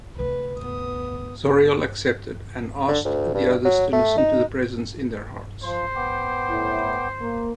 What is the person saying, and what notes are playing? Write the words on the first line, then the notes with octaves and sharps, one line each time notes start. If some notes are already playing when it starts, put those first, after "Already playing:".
Zauriel accepted, and asked the others to listen to the Presence in their hearts.
D2 C3 B4
B3 D#6
D3
D2
G2
F#3
A3
D#4
F3 C5 C6
B3 G5 D6
A2 E4
A#3